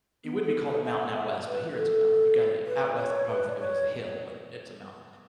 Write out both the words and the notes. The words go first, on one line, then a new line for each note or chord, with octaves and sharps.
it wouldn't be called a mountain out west, but here it's a mountain, you got it out west, you probably think of it as a hill, but it's a mountain,
B3
A4
A4
E5
F#5
E5
B4
A4
B4
C#5
B4
D5
C#5